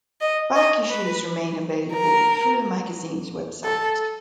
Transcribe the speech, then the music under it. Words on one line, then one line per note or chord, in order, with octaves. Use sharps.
Back issues remain available through the magazine's website.
D#5
D#5
B4
A#4
A4